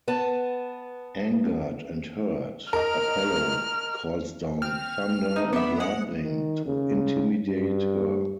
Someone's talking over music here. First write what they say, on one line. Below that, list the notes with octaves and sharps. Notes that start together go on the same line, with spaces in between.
Angered and hurt, Apollo calls down thunder and lightning to intimidate her.
B3 B4 A5
A#4 D#5 F6
C4 F6
A3 D#4
B3 D4 E5
G#3 F#5
D#3
C#3
G2